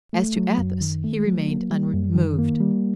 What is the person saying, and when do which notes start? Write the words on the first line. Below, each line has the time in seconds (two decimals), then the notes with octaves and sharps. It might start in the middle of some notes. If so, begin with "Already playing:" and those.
As to Athos, he remained unmoved.
0.13 A3
0.37 F#3
0.58 F#2
0.81 D#3
1.04 A3
1.27 F#3
1.49 A#3
1.71 G3
1.93 F#2
2.16 D#3
2.38 A#3
2.60 G3